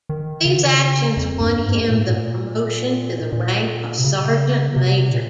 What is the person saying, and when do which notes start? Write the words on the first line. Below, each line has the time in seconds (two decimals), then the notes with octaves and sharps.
These actions won him the promotion to the rank of Sergeant Major.
0.09 D#3
0.45 C#3
1.17 F2
1.41 G2
1.65 G#2
1.89 A#2
1.98 G#2
2.06 A#2
3.32 A#2
3.98 C3
4.04 C#3
4.76 C3
5.12 A#2